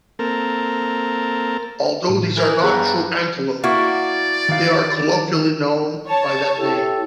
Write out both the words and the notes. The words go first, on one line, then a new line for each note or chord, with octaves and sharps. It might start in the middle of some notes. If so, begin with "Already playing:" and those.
Although these are not true antelope, they are colloquially known by that name.
A#3 C4 A4 A#4
A2
E3 A#4
G2 B3 G#4 A#5 F#6
A#3 E4 F#4 D5
D#3 F5
C#5 A5
E4 G4 A4